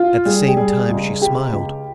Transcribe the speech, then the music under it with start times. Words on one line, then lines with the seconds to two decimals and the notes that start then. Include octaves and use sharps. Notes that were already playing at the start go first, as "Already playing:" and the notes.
At the same time she smiled.
Already playing: F4
0.25 G3 G#4
0.48 G4
0.57 G3 G#4
0.89 C#2
1.21 C#3 G4
1.53 C#2